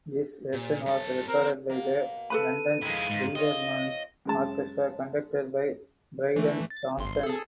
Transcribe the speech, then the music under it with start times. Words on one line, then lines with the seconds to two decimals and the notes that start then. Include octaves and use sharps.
This version was recorded by the London Philharmonic Orchestra conducted by Bryden Thomson.
0.53 A#2
0.86 G2 A4
1.29 C4 A#4
1.70 B2 A#3
2.30 A4 B4 B5 D#7
2.83 D#3 F3 G#3 E4
3.10 G#2
3.35 C4 F4 C#5 D#5
4.25 F#2 G#3 A5
6.36 E3 A3
6.70 A6
6.98 G1 C6
7.23 G#4 A4